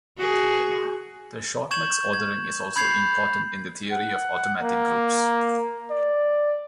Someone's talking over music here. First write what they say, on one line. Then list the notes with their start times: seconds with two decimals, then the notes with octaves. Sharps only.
The shortlex ordering is also important in the theory of automatic groups.
0.18 F#4 G#4
1.71 C#6 G6 G#6 E7 F#7
2.13 G#6
2.76 B5 G6 G#6 C7 F7
3.92 F#5
4.62 A#3
5.91 D5